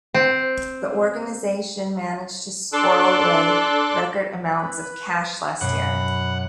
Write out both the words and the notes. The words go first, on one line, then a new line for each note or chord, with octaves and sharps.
The organisation managed to squirrel away record amounts of cash last year.
C4
D4 A4 C6 D6 E6 F#6
B4
F#2 B2 F#5 B5